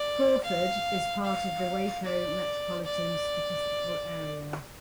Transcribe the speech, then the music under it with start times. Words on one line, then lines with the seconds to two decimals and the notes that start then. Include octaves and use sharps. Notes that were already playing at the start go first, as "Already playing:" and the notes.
Crawford is part of the Waco Metropolitan Statistical Area.
Already playing: D5
0.44 F5
1.25 F5
2.04 D5
2.85 D5